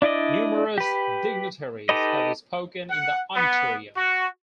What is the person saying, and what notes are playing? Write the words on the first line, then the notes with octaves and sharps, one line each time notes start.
Numerous dignitaries have spoken in the Auditorium.
D4 E4 D5 D#5
G4 B4
D#4 G4 A4 B4 D#5
F#5
B3
F#4